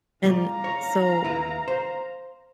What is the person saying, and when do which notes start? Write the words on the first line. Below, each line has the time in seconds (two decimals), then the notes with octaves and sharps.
And so,
0.25 G3 F4 D5 F5 A#5
0.64 C#5
1.23 D#2 E4 B4
1.68 C5